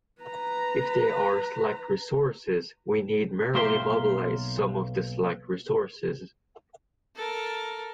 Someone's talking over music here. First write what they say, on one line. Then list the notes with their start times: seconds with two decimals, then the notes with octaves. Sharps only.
If there are slack resources, we need merely mobilize some of the slack resources.
0.22 B4 A#5
3.54 B1 A#3 A#4 C5 E5 G5
7.16 A4 A#4